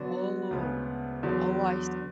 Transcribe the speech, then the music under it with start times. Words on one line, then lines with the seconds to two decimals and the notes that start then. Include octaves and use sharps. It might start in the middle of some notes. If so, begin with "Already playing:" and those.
Oh. Oh, I see.
Already playing: D3 F#3 B3 D4 F#4
0.51 D2 C#3 G#3 B3
1.23 E2 D3 F#3